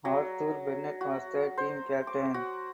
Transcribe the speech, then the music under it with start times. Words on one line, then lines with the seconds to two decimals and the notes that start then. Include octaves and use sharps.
Arthur Bennett was the team captain.
0.05 F#3
1.01 F#4
1.58 C5
2.07 D6
2.34 F#4